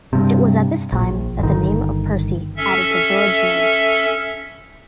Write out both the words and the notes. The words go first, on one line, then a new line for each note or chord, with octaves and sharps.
It was at this time that the name of Percy added to village name.
G2 C3
A#1
G1 D#3
C#4 A4 E5